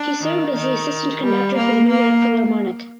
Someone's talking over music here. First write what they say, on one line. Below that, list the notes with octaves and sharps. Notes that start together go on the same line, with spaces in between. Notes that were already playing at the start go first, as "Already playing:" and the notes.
He served as the Assistant Conductor for the New York Philharmonic.
Already playing: D4
D#3
D#3
G3
A#3
A#3